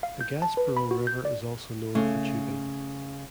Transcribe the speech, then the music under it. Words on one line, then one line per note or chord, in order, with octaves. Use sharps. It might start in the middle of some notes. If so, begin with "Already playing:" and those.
The Gaspereau River is also known for tubing.
F5
G6
A5
B4
B5
F#4
G6
D5
C#3 A3